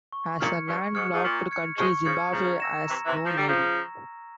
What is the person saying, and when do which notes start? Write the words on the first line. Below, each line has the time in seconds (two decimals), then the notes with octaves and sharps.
As a landlocked country, Zimbabwe has no navy.
0.12 C#6
0.40 A#2 F6 G#6 C#7
0.67 G2 C#6
0.95 G#2 F6 G#6 C#7
1.12 G#2
1.23 A#2 C#6
1.51 F6 G#6 C#7
1.78 F3 G#3 C#6
2.05 C#3 F3 F6 G#6 C#7
2.32 C#3 F3 A#5
2.60 E6 A#6 E7
2.88 C3 E3 A#5
3.06 C3 E3
3.16 E6 A#6 E7
3.24 F3
3.37 G3
3.43 C#3 F3 A#5